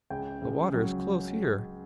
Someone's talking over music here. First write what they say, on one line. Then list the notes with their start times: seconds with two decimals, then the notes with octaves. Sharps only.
The water is close here.
0.10 C#2 G5
0.42 C#2
0.74 F#3